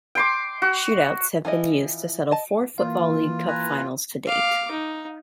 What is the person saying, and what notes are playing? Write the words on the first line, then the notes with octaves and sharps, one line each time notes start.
Shoot-outs have been used to settle four Football League Cup finals to date.
G5 C6 D6
F#4
E3 F3 E4 D#5
D#5 A5
E3 A#3 F4 F5
B4 G#5 A#5
F5 D6
D#4